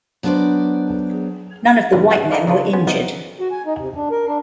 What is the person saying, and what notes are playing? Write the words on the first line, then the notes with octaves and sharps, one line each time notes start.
None of the white men were injured.
F#3 B3 D4 B4 C5 D5
G#2 D3 E3 G3 B4
G3 E4 F#4 G#4 B4 F#5
D#4 E4 A4 B4 D5 F5
C#3 D4 F4 B4 C#5
B3 C#4 C5
E3 F3 G3 B3 D#4
F#4
G#5
D#4
C3
D4
A#4
D4